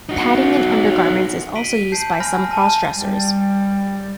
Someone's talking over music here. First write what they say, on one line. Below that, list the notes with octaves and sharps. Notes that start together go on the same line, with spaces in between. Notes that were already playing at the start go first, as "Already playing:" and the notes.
Padding in undergarments is also used by some crossdressers.
D#4 F#4
B6 C7 D7 D#7 F#7 G7
A5 G6 C7
G#5 B5 F6 A#6
A5 B5 D#7
G3